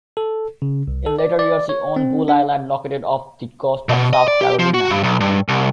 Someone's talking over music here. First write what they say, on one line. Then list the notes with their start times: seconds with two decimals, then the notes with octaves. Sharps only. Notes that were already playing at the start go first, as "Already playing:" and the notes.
In later years he owned "Bull Island", located off the coast of South Carolina.
0.17 A4
0.62 C#3
0.88 C2
1.06 A4
1.19 D5
1.39 D5
1.69 C#5
1.96 C4
2.28 D4
3.89 B2
4.13 D#5
4.28 D5
4.41 G4
4.59 F3
4.74 F#4
4.90 G2
5.03 B1
5.20 G2
5.49 C2